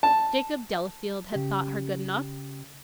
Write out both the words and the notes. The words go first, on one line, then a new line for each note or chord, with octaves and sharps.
Jacob Delafield had thought her good enough!
A5
C#3 G4